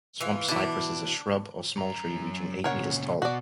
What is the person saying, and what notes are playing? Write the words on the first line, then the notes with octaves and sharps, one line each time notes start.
Swamp cypress is a shrub or small tree, reaching eight metres tall.
E3 F4
B2 E3 D4
F#2 A#5
A#2 C#3 A#4 C#5 F#5
B2 F#4 D5